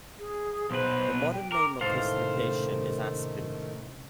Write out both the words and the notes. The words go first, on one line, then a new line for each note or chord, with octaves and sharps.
The modern name of this location is Aspen.
G#4
B1 B4 C5
G5
A#4 D6
C#2 A2 C3 D#3 A3 A4 C5 F5